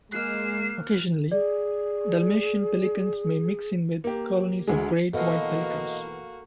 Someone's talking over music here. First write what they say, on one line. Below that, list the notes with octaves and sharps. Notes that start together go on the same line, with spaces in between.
Occasionally, Dalmatian pelicans may mix in with colonies of great white pelicans.
G#3 A#3 F6 F#6 C7 E7
G#4 D5
A#3 G4
D2 G#3
B2 E3 A#3 F#4 A4 D#5 F5